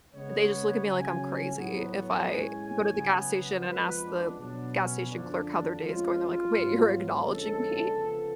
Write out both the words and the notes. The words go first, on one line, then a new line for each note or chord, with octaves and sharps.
they just look at me like I'm crazy. If I go to the gas station and ask the gas station clerk how their day is going, they're like, "Wait, you're acknowledging me?"
C#3 G#3 B3 C#5
C#3 F#3 C#4 G#5
G#5
A2 F#3 B3
A2 G#3 C#4 G#5
C#3 F#3 B3
F2 F3 G#3 B3 B4
D4
B2 F#3 B3 D4
C#4
F#2 D3 F3 D4
F2 F3 G#3 C#4 F4
G#2 F#3 B3
F2 D3 G#3 C#4 A4
C#3 F3 B3